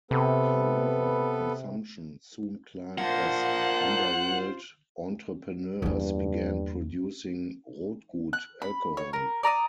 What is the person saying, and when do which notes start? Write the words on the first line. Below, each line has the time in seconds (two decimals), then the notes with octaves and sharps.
However, consumption soon climbed as underworld entrepreneurs began producing "rotgut" alcohol.
0.11 C3 B3 A4 B4
2.98 A#3 D4 F4 C5 F#5
5.82 E2 G2 A#3
8.33 F#6
8.62 B5
8.97 C#5
9.13 A#4
9.43 D5 A#5 D6 D#6